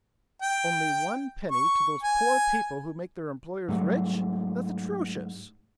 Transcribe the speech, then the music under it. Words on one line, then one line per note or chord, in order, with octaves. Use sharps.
"Only one penny to those poor people who make their employers rich! That's atrocious!"
G5
C#6
G#5
G#2 F#3 G3 A3